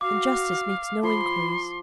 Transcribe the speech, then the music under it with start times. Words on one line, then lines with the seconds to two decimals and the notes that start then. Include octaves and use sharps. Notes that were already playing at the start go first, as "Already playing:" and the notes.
And justice makes no inquiries.
0.01 F#4 F5 D6
1.03 F3 B5 C6